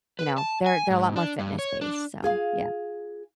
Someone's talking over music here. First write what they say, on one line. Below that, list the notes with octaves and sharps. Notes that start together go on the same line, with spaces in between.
you know, they're they're a lot more fitness based, so, yeah.
B4
A5
G#5
G#2
D4
G2
C#5
D4
F4 G#4 F5